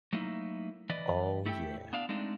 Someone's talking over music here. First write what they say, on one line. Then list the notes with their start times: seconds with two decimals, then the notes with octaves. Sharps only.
Oh, yeah.
0.13 F#3 A3 A#3 D#4 E4
0.89 E3 B4 D5 D#5
1.46 A3 E4 G4 A4 D#5 G5
1.93 B3 D4 F5 G5
2.09 G#3 A3 C4 D4 D#4